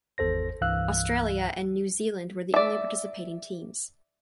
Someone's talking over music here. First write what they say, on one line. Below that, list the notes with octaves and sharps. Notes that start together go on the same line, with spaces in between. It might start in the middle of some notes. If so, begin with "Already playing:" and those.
Australia and New Zealand were the only participating teams.
G#1 E2 A4 C5 A#6
C2 G2 E3 F5 E6 F#6
D5 E5